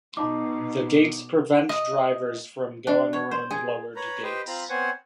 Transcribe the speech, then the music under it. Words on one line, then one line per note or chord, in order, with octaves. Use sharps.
The gates prevent drivers from going around lowered gates.
B2 D#4 A5 B5 D6
D#5
D4
C#5
C5
G#4
B4 C#5 A#5 B5
G4 B4 C5 D#5 G5
C4 F4 A#5 B5
B3 C4 C5 C#5 F#5 G#5